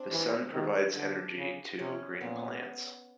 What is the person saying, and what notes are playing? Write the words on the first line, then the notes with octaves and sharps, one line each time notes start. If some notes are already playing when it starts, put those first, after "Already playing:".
The sun provides energy to green plants.
Already playing: C4 D4
E3
D#3
D3 D4
C#3
C3 C#4
A#2 B3